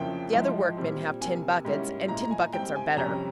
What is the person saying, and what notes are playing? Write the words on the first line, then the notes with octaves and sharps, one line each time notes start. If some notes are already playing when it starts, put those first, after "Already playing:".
The other workmen have tin buckets, and tin buckets are better.
Already playing: F2 C#3 F3 A#3 E4 G5
G#2 F3 G#3 E4
A#2 G3 C4
C3 G3 A#3 G#5
G#2 G3 A#3 C#4 E4
A#2 G#3 E4 A#5
A#5
G#5
G#2 G3 C4 G5
G#5
F2 C3 G3 C#4 A#5